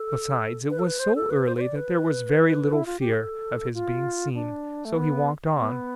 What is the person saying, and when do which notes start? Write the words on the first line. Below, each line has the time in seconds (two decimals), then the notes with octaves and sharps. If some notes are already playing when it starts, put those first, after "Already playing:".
Besides, it was so early that there was very little fear of his being seen; so he walked on.
Already playing: A4
0.70 B4
0.79 A4
0.85 B4
0.99 C5
1.15 A4
1.30 B4
1.46 C5
1.56 C5
1.61 D5
1.76 B4
2.73 E4
2.86 F4
3.00 G4
3.13 A4
3.74 F4
4.34 D4
4.85 A3
4.96 B3
5.57 B3